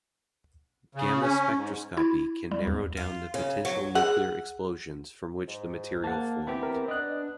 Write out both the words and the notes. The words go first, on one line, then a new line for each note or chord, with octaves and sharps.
Gamma spectroscopy can narrow down the potential nuclear explosions from which the material formed.
C#3
C#4
G#2
E4
G3
E2
F4
C#3
F#3
G#4 F#5
G#2
A#3 F#5 A5
E3 B3 C4 G4
A#4
B3 D4 D#5 F#6